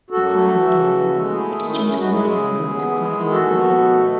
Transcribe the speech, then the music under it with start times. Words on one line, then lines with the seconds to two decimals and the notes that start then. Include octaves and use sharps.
To be crying again--what did gentlemen think of girls who cried in that way?
0.10 F#2 F#4 A4
0.31 A3
0.51 E3
0.71 C#3
0.91 D#2
1.11 G#3
1.31 A3 E4 G#4
1.51 D#3
1.71 F#2 C#4 E4
1.84 C#4 E4
1.91 F#2
1.97 D#4 F#4
2.10 G#3 E4 G#4
2.31 C#3
2.51 D#2
2.71 B3
2.91 G#3
3.11 D#3
3.30 D#2 F#4 A4
3.51 B3
3.71 B2
3.91 A3